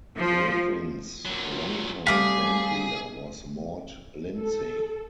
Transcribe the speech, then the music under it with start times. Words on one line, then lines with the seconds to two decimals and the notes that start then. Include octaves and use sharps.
Griffin's longtime bandleader was Mort Lindsey.
0.19 F3
1.25 A#2 F#3
2.07 G3 A3 C4 G#4 F5 D6 D#6 B6
4.40 A4